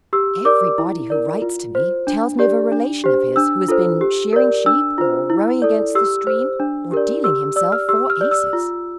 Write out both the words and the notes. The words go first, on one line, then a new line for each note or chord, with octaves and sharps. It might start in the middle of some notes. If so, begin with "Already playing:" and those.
Everybody who writes to me tells me of a relation of his who has been shearing sheep or rowing against the stream or dealing himself four aces.
G4 E6
A#4 D5 D6
E4
A#4 D5
F4
C5
D4
G4 D5
D4
G4 C5
D4 E6
F4 A4 C5
G4
A#4 D5
D4 E6
F4 C5
E4
A4 D5
G4 E6
C5
D4
G4 A#4 D5
G4 E6
D5 E6
F6
G4 E6
F6
D5
E6
F4